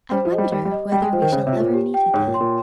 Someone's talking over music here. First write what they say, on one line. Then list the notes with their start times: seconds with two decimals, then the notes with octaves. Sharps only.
I wonder whether we shall ever meet again?
0.11 G3 C5
0.25 F3
0.32 D#5
0.38 G3
0.52 G3 G4
0.65 G3
0.71 D#5
0.92 G3 G5
1.02 G#3
1.13 F3 C5
1.22 D#3
1.32 C#3 C#5
1.47 C3
1.53 F4
1.60 A#2
1.74 G4
1.94 G5
2.13 G#2 C#5
2.27 A#2
2.34 C6
2.40 A#2